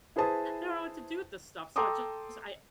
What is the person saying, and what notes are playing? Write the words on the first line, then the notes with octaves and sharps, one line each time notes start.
don't know what to do with this stuff. So I just I
E4 G#4 B4 C5 A5 D#6
A4 G5 A#5 C6 D6 D#6